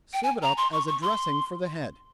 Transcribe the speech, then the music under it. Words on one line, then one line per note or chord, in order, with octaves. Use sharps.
Serve it up as a dressing for the head.
G5
G#5
A#5
C6
C#6
C#6
C6